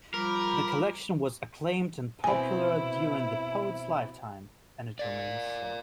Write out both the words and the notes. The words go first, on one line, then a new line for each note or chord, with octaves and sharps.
The collection was acclaimed and popular during the poet's lifetime and it remains so.
F3 G3 A#4 B5 D6
B2 C4 E4 G#5
A#4 D5